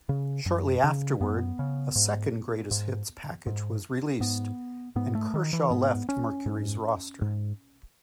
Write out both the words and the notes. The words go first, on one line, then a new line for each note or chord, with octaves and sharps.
Shortly afterward, a second greatest hits package was released, and Kershaw left Mercury's roster.
C#3
F#2
C#3
F#2 B3
C#3
G#2
G#2
G#2
G#2 B3
G#2 B3
A3
D#3
E3
G#2 B3
C#4
G#2
G#2